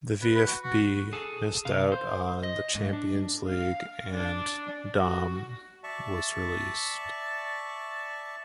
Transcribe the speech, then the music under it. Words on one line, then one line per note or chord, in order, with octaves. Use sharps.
The VfB missed out on the Champions League and Daum was released.
B4
B4
F#4
F#4
G#4 A4
C3 F5
C5
D#5
G#2
D4
F5
D4
F#4
D5 E5 A5 C#6